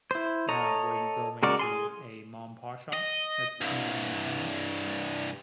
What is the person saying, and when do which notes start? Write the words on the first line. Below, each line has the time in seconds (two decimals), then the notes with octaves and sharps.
uh, where you go maybe to a ma and pa shop, that's anywhere in your town,
0.11 E4 C5
0.49 A4 C#5 D#5 A#5
1.43 C#3 G#3 F#4 A#4 D5
1.59 G#4 G#5 C6
2.93 D#5
3.61 C2 G2